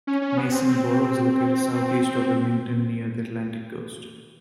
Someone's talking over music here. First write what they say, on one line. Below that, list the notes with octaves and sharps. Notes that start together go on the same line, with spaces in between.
Masonboro is located southeast of Wilmington near the Atlantic coast.
C#4
C#4
B3
C4
C4